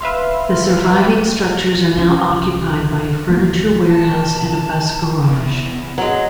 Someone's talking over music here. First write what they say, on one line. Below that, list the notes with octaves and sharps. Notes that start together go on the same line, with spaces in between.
The surviving structures are now occupied by a furniture warehouse and a bus garage.
B4 E5 F5 C6
C2 C4 C#4
D2 E3 A#3
A5
E2 B3
F#3 G#3